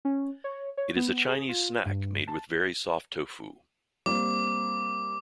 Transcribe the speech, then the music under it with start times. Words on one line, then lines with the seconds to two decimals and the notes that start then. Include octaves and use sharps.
It is a Chinese snack made with very soft tofu.
0.05 C#4
0.44 C#5
0.77 C#5
0.96 B3
1.28 G#4
1.49 F4
1.86 G2
2.27 A5
4.06 G3 A#3 C4 D6